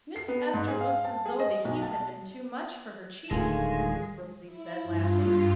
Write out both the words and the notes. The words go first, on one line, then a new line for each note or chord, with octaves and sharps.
"Miss Ester looks as though the heat had been too much for her cheeks," Mrs. Brookley said, laughing.
C7
B3
G#2
G#4
F5
A5
G#4
D#5
B1
A5
D1 D#3 G#3 A3 D4 F4 G#5
E4
G2 F4